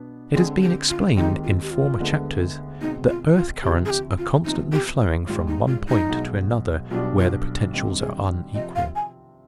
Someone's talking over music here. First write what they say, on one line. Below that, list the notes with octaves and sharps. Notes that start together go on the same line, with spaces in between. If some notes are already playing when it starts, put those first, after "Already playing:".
It has been explained in former chapters that earth-currents are constantly flowing from one point to another where the potentials are unequal.
Already playing: B2 B3 D4
D3 G#3 C4 G#4
G4
F4
D#2 D#3 G#3 C4 D#4 G4
F4
G4
F4
D2 D3 G#3 B3
B2 G#3 C4 D#4
F4
F4
D2 C3 F3 C4 G4
G#4
G4
F4
C3 F3 B3 D#4
G4
G#1 G#2 G3 F4
D#4
F4
D#4
B1 B2 G#3
B1 B2 G3 D4 F4
F4
G2 D#3 G3 C4 G4
G#4
C3 F3 C4 D#5
F5
G#5